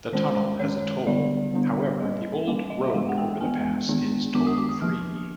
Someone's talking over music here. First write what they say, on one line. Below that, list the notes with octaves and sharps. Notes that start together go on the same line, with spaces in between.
The tunnel has a toll; however, the old road over the pass is toll-free.
D#3 G#3 C#4 C5
D#3 G#3 C#4 C#5
D3 G3 B3 D4 D5
D3 G3 B3 D4
G3 A#3 C#4 D#5
G3 A#3 C#4 F5
D#5
E5
E3 G#3 B3 D4 F5
F#5
G5
E3 G#3 B3 D4 G#5
D#3 G#3 B3 D4
D#3 G#3 B3 D4 D6
D#6
D6
D#6
F3 A#3 D4 F6